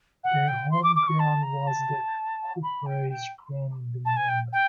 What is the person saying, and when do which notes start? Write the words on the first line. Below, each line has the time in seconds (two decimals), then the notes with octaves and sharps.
Their home ground was the Cooperage Ground in Mumbai.
0.24 F#5
0.48 G5
0.71 C6
0.83 D6
0.96 D6
1.07 C#6
1.19 A5
1.43 A#5
1.67 A5
2.63 B5
2.86 G5
3.10 G5
4.05 A5
4.16 G#5
4.29 G5
4.53 G5